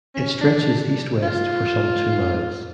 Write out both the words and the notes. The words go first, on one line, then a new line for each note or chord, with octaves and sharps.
It stretches east-west for some two miles.
C#4
D4
F4